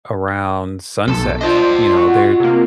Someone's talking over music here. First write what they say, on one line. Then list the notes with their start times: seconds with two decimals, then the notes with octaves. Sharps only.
around sunset, you know, they're,
1.08 B1 A4 A5
1.41 D4 F4 C5 D#5
1.96 F#4
2.40 C3 A#3